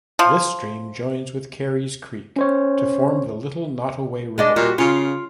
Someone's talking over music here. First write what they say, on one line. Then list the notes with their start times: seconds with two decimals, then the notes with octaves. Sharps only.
This stream joins with Carys Creek to form the Little Nottoway River.
0.19 F3
2.36 C#4 C5 C#5
4.38 G#3 D4 D#5
4.56 A#2 G3 F#4
4.78 C#3 F4